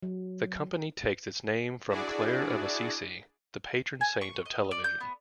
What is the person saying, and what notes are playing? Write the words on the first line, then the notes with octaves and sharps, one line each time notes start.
The company takes its name from Clare of Assisi, the patron saint of television.
F#3
D4 E4 F#4 G#4 D5
G#5
C#6
D#5
D5
G6
B3